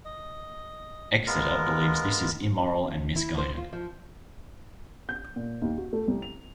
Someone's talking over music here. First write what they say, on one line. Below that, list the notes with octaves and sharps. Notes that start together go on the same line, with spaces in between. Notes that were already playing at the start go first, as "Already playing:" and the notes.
Exeter believes this is immoral and misguided.
D#5
G#3 B3 F4 A#4
E4
C5
F4
F3
G6
A#2
D#2
F#4
A3
C2
F7